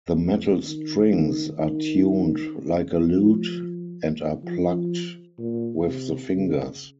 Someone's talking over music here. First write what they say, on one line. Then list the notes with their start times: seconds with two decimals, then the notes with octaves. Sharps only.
The metal strings are tuned like a lute and are plucked with the fingers.
0.17 F2
0.65 D#3
1.13 D#3
1.59 D#3
3.02 F3
4.44 F3
5.39 A#2
5.86 C3
6.34 C#3